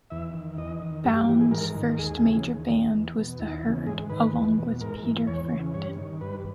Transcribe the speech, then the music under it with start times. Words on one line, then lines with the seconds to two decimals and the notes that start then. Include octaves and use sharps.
Bown's first major band was The Herd, along with Peter Frampton.
0.10 E2 E5
0.34 D#3
0.57 E2 D#5
0.82 D#3
1.04 G2 G4
1.16 G4
1.29 E3 G4
1.41 G#4
1.51 G#2 A#4
1.75 D#3
1.94 A#4
1.99 D#2 G#4
2.23 C#3 E3
2.46 D#2
2.69 D#3
2.93 E2
3.16 B2
3.40 D#2 E4
3.47 D#4
3.54 E4
3.63 C#3 E3
3.86 G#2 G#4
4.10 D#3 B4
4.33 E2
4.57 B2
4.81 G#2 A#4
5.04 E3
5.27 E2 C#5
5.52 C#3 E3
5.74 G2 C#5
5.98 D#3
6.21 G2 B4